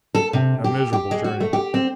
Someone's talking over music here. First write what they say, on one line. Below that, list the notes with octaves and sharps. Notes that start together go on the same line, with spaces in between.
A miserable journey.
A4
C3
G4
G4
G#3
F#4
A3
G4
C4